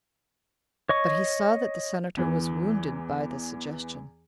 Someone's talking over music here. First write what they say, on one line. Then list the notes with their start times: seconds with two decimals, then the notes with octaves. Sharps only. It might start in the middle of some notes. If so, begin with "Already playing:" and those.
But he saw that the Senator was wounded by the suggestion.
0.89 C#5 D#5 C#6
2.17 E2 E3